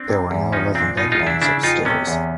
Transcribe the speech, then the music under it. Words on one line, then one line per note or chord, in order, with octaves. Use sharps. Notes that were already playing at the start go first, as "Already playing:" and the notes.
There were now eleven bedrooms upstairs.
Already playing: C4 D4
C3
E2
F3 C#4 D#4
A#2 C4 D4
B2 D#4 F4
D#4 F4
E2
D4 E4
C#3 D4 E4
F2 D#4 F4
C3 B3 C#4
E2